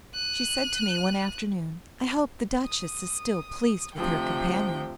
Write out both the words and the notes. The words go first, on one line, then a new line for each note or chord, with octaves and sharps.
She said to me one afternoon, 'I hope the Duchess is still pleased with her companion.
F#6 D#7
D#6
D2 C3 F3 G5